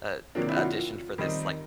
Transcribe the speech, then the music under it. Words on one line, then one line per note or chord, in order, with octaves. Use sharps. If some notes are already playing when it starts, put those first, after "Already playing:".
a addition for this like
C3 D#3 F#3 A#3 D4 F4
E4
F#4
F4
F4
D#3 G3 C4 D#4